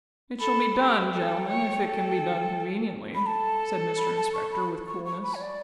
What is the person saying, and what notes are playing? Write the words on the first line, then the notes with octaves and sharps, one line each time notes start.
'It shall be done, gentlemen, if it can be done conveniently,' said Mr Inspector, with coolness.
A4 B5
G4
A4 G5
C#5
A4
B5
A4 A5
B5
A5
C#6
B5
C#6
C#6
B5
C#5
D5